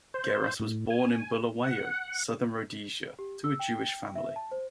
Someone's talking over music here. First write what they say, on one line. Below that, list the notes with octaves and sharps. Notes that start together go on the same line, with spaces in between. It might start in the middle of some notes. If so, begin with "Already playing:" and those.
Geras was born in Bulawayo, Southern Rhodesia, to a Jewish family.
C5
A2
G#5
F#5
G4
E6
G5
E5
A5
C5